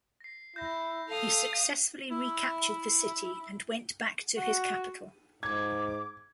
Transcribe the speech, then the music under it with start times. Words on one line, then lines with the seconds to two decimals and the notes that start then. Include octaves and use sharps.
He successfully recaptured the city and went back to his capital.
0.20 A#6 C7
0.56 E4 G6 A#6
1.09 A4 F5 D#6
2.10 E4
4.36 F#4
5.43 G#2 D6 G#6